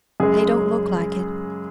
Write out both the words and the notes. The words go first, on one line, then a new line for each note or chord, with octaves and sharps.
They don't look like it.
F#2 C#3 G#3 G#4